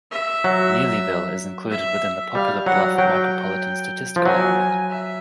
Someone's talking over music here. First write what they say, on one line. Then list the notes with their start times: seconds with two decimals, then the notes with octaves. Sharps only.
Neelyville is included within the Poplar Bluff Micropolitan Statistical Area.
0.12 E5
0.44 F#3
1.71 E5
2.35 G3 F5
2.66 F#3 F#5
2.98 F#3 G5
4.16 F3
4.26 F#3 G#5
4.90 E5